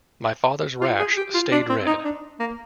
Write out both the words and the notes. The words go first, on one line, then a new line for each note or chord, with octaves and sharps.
My father's rash stayed red.
F4
G#4
G4
F4
D4
C4
D#4
D4
A#3